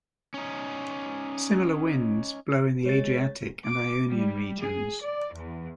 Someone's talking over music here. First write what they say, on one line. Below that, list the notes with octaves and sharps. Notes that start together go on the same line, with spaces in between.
Similar winds blow in the Adriatic and Ionian regions.
C#4 D#4
G#3 C#5 A6
D6
G3
G#4
D5
E2